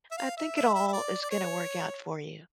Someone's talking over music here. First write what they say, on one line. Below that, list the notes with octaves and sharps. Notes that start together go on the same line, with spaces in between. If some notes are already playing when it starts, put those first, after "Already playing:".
I think it all is gonna work out for you.
E5
F5
E5
E5
E5
E5
D5
D5
C#5